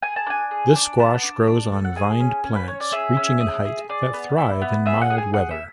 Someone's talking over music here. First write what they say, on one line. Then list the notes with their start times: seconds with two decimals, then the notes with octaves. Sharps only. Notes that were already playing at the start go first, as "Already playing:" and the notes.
This squash grows on vined plants reaching in height that thrive in mild weather.
0.02 G#4 G#5
0.16 A5
0.27 D4 G#5
0.51 G#4
0.76 D4
0.99 B3 A5
1.23 D4
1.47 D4
1.72 A4
1.85 F#5
1.96 G#4 G#5
2.20 C#4
2.44 C#4
2.56 B4
2.68 C#4 C#5
2.80 D5
2.92 G#4 E5
3.17 C#4
3.41 G#4
3.65 G#4
3.89 G#4 D5
4.13 B3
4.38 E4
4.61 B3
4.86 G#4 E5
5.01 F#5
5.10 G#4
5.18 G#5
5.33 G#4 F#5
5.51 E5